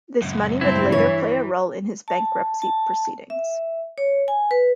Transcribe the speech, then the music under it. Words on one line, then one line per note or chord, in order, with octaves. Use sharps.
This money would later play a role in his bankruptcy proceedings.
C#2 F#2
G2 C4 E4
E3 C#5
A5
A5
E5
C#5
G#5
B4